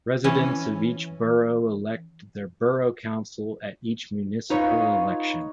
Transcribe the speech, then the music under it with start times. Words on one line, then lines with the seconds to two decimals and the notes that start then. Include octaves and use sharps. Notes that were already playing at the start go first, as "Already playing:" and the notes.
Residents of each borough elect their Borough Council at each municipal election.
0.24 E3 C#4
4.50 D#4 F4 B4 C#5